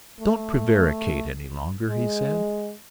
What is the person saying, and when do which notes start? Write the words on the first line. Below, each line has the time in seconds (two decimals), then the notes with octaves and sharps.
"Don't prevaricate any longer," he said.
0.20 A3
1.90 G#3